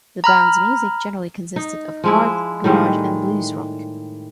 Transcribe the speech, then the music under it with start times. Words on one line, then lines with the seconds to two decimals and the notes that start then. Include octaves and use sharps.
The band's music generally consisted of hard, garage and blues rock.
0.24 A#5 B5 F6
1.56 D#4
2.04 F3 G#3 E4
2.64 A2 D#3 G3 G#3